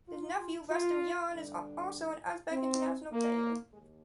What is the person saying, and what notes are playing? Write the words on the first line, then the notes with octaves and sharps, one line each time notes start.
His nephew, Rustamjon, is also an Uzbek international player.
F4
F4
G2 D3 G3 D4
C4
A#3
D#2 G#3